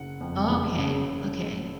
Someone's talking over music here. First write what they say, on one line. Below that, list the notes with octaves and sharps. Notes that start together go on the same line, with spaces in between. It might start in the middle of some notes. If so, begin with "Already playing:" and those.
Oh, okay. Okay.
Already playing: F#1 F#5
F2
F#1
C#3
C#3